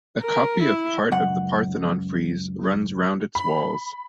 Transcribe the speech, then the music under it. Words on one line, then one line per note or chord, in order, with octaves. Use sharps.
A copy of part of the Parthenon frieze runs round its walls.
A#4
E4
C#2 F#2 F#5
B5